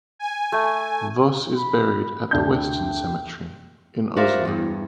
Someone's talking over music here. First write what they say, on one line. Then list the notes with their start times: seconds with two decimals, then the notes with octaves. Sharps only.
Voss is buried at the Western Cemetery in Oslo.
0.19 G#5
0.52 A3
1.57 B5
2.31 D2 D4 G5 G6
4.16 F#4 A#4 C5 D5 E5 F5
4.45 E2 G2